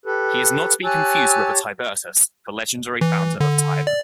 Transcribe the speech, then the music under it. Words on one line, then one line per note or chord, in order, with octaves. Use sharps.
He is not to be confused with a Tiburtus, the legendary founder of Tibur.
G4 A4 B4
G4 C#5 G#5 A5 E6 F#6
E3
D3
D5